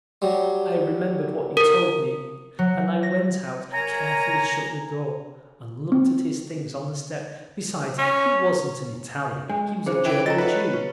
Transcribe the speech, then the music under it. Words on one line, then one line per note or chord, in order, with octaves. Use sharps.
I remembered what you told me, and I went out, carefully shut the door, and looked at his things on the step. Besides, he wasn't an Italian--he was a German Jew.
F#3 G3
A#4
F#3
A#6
A#4 C#5 G#5 A#5
C4
C#4
G#3 D4
C#3 F3 G#4 C5
E3 E4 G4 G5
C#4 F4 A4 D#5 A#5 A6
E4 F#4 B4 C#5
C#4